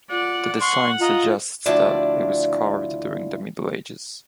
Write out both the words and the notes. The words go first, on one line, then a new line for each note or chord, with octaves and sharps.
The design suggests that it was carved during the Middle Ages.
F4 D5 F#5
F#5 C6 C#6
F4 D#5 A#5
D2 F3 D4 E4 D5